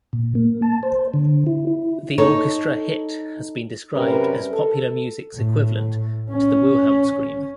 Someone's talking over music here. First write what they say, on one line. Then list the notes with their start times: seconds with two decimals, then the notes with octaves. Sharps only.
The orchestra hit has been described as popular music's equivalent to the Wilhelm scream.
0.13 A#2
0.35 A#3
0.62 A5
0.83 C5
1.14 D3
1.47 E4
1.67 E4
2.18 D#4 A4 C#5
3.93 F#2 C3 G3 C#4 A#4 B4
4.52 A4
5.35 A2
6.31 C#4